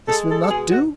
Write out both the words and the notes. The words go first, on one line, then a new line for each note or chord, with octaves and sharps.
'This will not do.
G#3 A4
A4
A4
B2 G#4
F#4